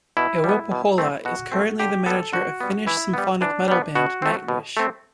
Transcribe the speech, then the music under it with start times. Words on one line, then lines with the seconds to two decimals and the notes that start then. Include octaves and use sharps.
Ewo Pohjola is currently the manager of Finnish symphonic metal band Nightwish.
0.17 B2 E4
0.44 G3
0.49 B3
0.72 B2
0.98 A3 C4
1.25 B2 F#4
1.52 A3 C4
1.80 D3 G4
2.06 G3 B3 A4
2.33 D3 F#4
2.61 G3 B3
2.87 E3 E4
3.14 G3 B3
3.41 E3 D4
3.68 G3 B3
3.95 B2 F#4
4.22 A3 C4
4.48 B2
4.77 A3 C4